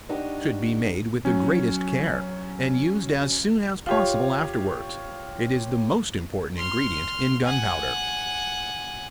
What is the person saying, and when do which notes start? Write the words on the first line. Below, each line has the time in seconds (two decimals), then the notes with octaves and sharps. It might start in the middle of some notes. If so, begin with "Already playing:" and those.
It should be made with the greatest care, and used as soon as possible afterwards: it is the most important ingredient in gunpowder.
0.09 D4 D#4 F#4 G4
1.25 F#3 C#4
3.87 F4 G4 C#5
6.56 C6 F6
7.44 F#5 G#5